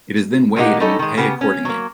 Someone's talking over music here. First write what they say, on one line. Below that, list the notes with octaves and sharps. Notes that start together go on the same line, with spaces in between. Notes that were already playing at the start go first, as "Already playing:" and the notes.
It is then weighed and you pay accordingly.
A#2 F#3 A#3 D#4 G4 F#5
G3 A3 C#4 D#4 A4
D#3 G#3
C#3 B3 G4
C#4
F#3 A#3